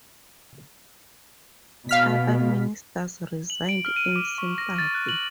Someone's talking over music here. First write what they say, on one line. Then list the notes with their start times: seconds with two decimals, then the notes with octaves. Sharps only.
Other ministers resigned in sympathy.
1.89 B2 F5 F6 B6
3.50 F#7
3.69 D7
3.85 F6
3.96 D#7
4.16 D6
4.38 C#6
4.58 A#6
4.78 A6
4.94 F#6
5.09 F#7